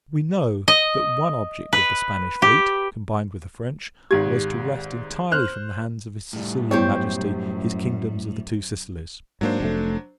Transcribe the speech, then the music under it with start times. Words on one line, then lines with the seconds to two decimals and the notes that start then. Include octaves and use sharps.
We know, that one object of the Spanish fleet, combined with the French, was to wrest entirely from the hands of his Sicilian Majesty his kingdoms of the Two Sicilies.
0.68 D#5
1.73 B4
2.42 G4
4.11 G#1 G#2 G4 G#6
5.32 C5 F6 F#6
6.33 A2 G3
6.71 F#2 B3 E4 G4 C5 C#5
9.41 G#2 F#3 A#3 D4 C5
9.60 F1 G#2 A3